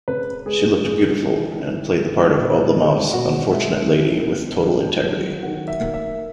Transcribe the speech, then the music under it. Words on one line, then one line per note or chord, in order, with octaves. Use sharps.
She looked beautiful, and played the part of Oblomov's unfortunate lady with total integrity.
C#3 B4
G#3 G#4
C#3 G#4
E3
D#3 E4
G#3
A#2
G#3
B2 F#4
G#3 E5
E3
B3
D#3
F#3
D#3 F#5
E5
A#3
E5